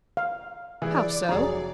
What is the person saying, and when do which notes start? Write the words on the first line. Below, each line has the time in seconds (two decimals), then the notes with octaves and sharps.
"How so?"
0.17 F5
0.82 E3 G#4 D5
1.29 F1 F#3 G#4 C#5 A#5